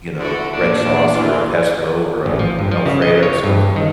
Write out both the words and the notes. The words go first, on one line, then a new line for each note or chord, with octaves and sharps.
you know, red sauce or a pesto or a Alfredo, something, but
D3 E4 F#4 A4
D2 A#2 D4
E3 D4 F4
A1
F3
G2
F3
C#3
D#5
C#5
G2
D#3